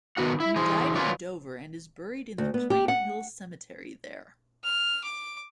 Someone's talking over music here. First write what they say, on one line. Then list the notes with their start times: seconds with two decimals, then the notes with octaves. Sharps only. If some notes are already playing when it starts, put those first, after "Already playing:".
He died in Dover and is buried in the Pine Hill Cemetery there.
0.17 D#3 B3 F#4 F#5
0.40 E4
0.56 E3 G#4 C5
0.95 D#3 F#3 C#4 F4 B4 D5
2.38 D2
2.54 B3
2.70 G4
2.88 F#5
4.64 F6
5.04 D6